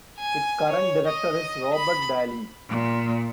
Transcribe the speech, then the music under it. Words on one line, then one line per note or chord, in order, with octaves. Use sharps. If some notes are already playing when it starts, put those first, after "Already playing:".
Its current director is Robert Daly.
G#5
C#5
D#5
B5
A#2